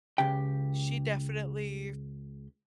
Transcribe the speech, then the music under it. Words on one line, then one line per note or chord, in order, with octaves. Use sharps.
she definitely,
C#2 C#3 G4 G5